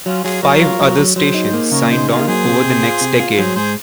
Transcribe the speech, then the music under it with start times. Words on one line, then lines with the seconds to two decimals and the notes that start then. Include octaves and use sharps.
Five other stations signed on over the next decade.
0.05 F#3 C#4 F4
0.24 F#3 F4 G#4
0.42 F#3 A#4 C#5
0.62 F4
0.80 F#3
0.98 F#3
1.16 F#3 G#4 C5
1.34 D#4
1.53 A#3
1.71 C#3 A#4 C#5
1.90 D#4 G#4 C5
2.08 A#3 F4 G#4
2.27 F#3 G#4 C5
2.46 C3
2.64 C3
2.83 F4
3.01 C3
3.20 F4
3.37 F#3 G#4 C5
3.56 G#2 G#4 C5